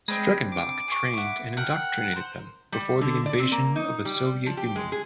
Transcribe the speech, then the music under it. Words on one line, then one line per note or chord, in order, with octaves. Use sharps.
Streckenbach trained and indoctrinated them before the invasion of the Soviet Union.
G#3 C4 D4 B5
D6
G#4 C#6
E4 F#5
A#4 F#5 G5
A#4 C5
G3
D3
D5
C4
A#3
D#4
G3
F3
G4
G#3
G#4